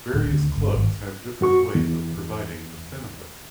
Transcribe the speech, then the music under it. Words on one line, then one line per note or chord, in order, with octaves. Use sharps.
Various clubs have different ways of providing this benefit.
D1
D2
G1
G#1
F#2 F#4 C#6
E2